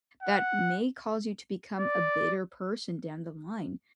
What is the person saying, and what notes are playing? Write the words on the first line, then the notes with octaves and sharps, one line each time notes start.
that may cause you to become a bitter person down the line.
F#5
D5